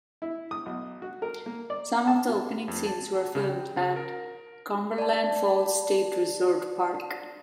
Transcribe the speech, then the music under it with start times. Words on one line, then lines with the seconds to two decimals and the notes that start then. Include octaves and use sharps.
Some of the opening scenes were filmed at Cumberland Falls State Resort Park.
0.22 E4
0.51 D#6
0.66 B1
1.02 F#4
1.22 A#4
1.46 A#3
1.70 D5
2.07 A5
2.29 B2
2.68 F2
2.86 A5
3.35 C#3
3.49 G5
3.76 C#3
3.96 A#4
4.98 D5 A5